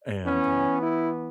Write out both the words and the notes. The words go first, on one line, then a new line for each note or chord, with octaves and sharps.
and, uh
E3 B3 C#4
E4